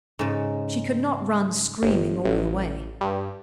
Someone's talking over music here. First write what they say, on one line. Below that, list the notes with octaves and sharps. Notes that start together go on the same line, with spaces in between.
She could not run screaming all the way.
G#2 C#3
G1
A1
G2